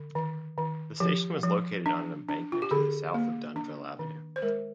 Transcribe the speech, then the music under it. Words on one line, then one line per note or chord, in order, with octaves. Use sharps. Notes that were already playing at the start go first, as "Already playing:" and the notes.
The station was located on an embankment to the south of Dunville Avenue.
Already playing: D3
D#3
D#3
F3 G4
F3
D4
D4
F4
G4
D3 G#4
A#3
D4
D#3
C5
G#3 A#4